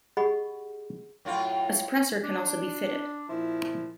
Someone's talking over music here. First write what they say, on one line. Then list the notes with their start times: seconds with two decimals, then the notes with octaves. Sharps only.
A suppressor can also be fitted.
0.17 G4 G#4 D#5 F#5 B5 C#6
1.25 F#2 A2 F4
2.24 D4
3.28 A#2 F3 E4